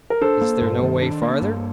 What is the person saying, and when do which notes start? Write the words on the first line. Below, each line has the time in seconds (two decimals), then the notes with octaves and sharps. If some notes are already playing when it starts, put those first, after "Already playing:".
"Is there no way farther?"
0.10 A#4
0.22 D4 A4 C5
0.41 A#3
0.61 G2
0.82 D#3
1.02 D4
1.22 A#3
1.42 G2